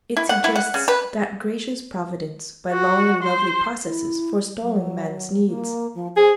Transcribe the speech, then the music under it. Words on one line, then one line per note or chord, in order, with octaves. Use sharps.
It suggests that gracious Providence, by long and lovely processes, forestalling man's needs.
E4
F#5
E4
F#5
C#3
B4
F#4
C5
E4
F#3
A#3
F3
G#4 C5